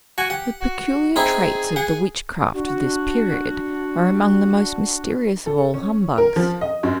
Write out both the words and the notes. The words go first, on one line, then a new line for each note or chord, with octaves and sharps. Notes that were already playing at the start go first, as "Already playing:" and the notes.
The peculiar traits of the witchcraft of this period are among the most mysterious of all humbugs.
F#4 G#5
G4 F#5
F#4
C4 D#4 E4 G#4
G#4 F#5
D4 F#4
A4
C#4
A#4
F3
D#5
F#2